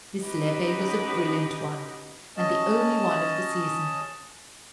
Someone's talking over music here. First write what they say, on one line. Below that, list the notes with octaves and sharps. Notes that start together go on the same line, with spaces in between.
This levee was a brilliant one, and the only one of the season.
C#4 D#4 F#4 G4 B4
C#4 D#5 A5